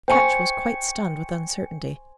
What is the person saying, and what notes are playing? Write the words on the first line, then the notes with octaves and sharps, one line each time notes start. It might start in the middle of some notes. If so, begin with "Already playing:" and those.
Ketch was quite stunned with uncertainty.
C5 G5 G#5 C#6 C#7